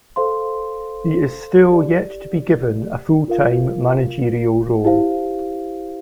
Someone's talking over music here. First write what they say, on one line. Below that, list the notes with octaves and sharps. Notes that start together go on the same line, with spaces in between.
He is still yet to be given a full-time managerial role.
A4 C5 F5 C6
E4 G4 D5
F4 A#4 F5
E4 G4 C5 F5